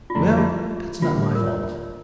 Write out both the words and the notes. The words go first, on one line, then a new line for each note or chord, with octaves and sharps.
"Well, that's not my fault."
F4
F2 D3 A3 D4 E4
G4
F4
D3 G3 A#3 F4
A#4
C#5